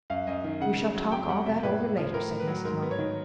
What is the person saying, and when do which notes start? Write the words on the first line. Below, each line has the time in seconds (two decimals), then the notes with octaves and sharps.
"You shall talk all that over later," said Mrs. Munger.
0.10 F#2 F5
0.27 F#2 D#5
0.44 D#3
0.61 C#3 F#5
0.78 C#3
0.95 F#3
1.12 F2 G5
1.29 G3 F#5
1.46 C3 E5
1.63 A2 B4
1.80 B3
1.97 F3
2.14 A2 A#4
2.31 A2
2.39 B4
2.47 F#3
2.65 G#2 A#4
2.82 B3
2.91 C#5
2.99 D#3